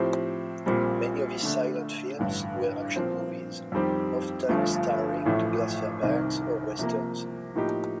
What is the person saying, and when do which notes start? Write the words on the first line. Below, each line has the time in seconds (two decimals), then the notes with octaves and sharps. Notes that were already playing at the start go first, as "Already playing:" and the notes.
Many of his silent films were action movies, often starring Douglas Fairbanks, or Westerns.
Already playing: A2 F3 C4 G4
0.66 A#1 A#2 G3 C4
1.43 D3 A3 D4
2.19 A1 G2 D3
2.96 A#2 F3 C4
3.72 F2 D#3 G3 C4 G4
4.49 G1 G2 F3 A3
5.26 A1 A2 F3 A3
6.03 C2 C3 D#3
6.79 C3 F3 A#3
7.55 A2 F3 A#3 D#4 G4